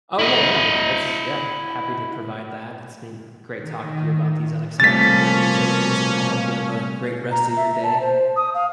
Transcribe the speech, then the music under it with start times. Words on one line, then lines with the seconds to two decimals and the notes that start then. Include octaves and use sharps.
Oh, yeah, no, that's yeah. Happy to provide that. It's been great talking to you about these unexpected daily joys, and I hope you have a great rest of your day.
0.19 E4 D#5
3.60 D#3
4.80 C3 F3 G3 A3 A#3 C#4 A6 B6
7.31 A#5
7.56 E5
7.83 A5
8.00 C5
8.36 D#6
8.54 F5